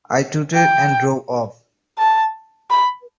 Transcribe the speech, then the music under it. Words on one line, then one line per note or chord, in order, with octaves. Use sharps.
I tooted and drove off.
G5
A5
B5